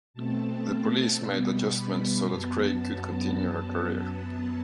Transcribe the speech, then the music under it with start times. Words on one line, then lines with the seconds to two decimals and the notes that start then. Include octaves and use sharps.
The police made adjustments so that Craig could continue her career.
0.14 B2 A3 C4 A5
1.21 B2 G3 B3
1.75 B5
2.28 F#2 F#3 B3 A5